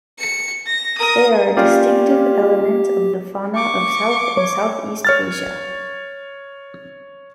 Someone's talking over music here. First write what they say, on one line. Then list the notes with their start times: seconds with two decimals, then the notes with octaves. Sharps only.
They are a distinctive element of the fauna of south and southeast Asia.
0.18 C#7
0.66 A#6
0.98 A#4 D#6
1.57 A#3 C#4 F4 G4 D5 F5 G5
3.56 C#6 D6
4.37 C#5
5.05 C#5 F6 A6